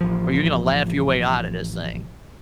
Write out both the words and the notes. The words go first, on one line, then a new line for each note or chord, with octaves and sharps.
or you're gonna laugh your way out of this thing."
A1 F3